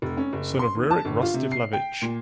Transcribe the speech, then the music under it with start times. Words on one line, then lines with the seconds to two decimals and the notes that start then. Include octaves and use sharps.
Son of Rurik Rostislavich.
0.02 F1
0.17 C#4
0.33 F#1
0.59 C6
0.75 D#2
0.91 A5
1.05 G1
1.23 F4
1.34 C3
1.52 C7
1.73 G5
2.02 A#2